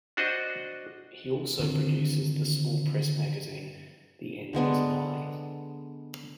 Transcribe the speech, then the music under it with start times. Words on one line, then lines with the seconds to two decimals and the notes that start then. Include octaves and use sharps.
He also produces the small press magazine "The End Is Nigh".
0.17 D4 F#4 C5 D#5
1.59 D3 D#3 F3 C4
4.53 D3 G#3 B3 D4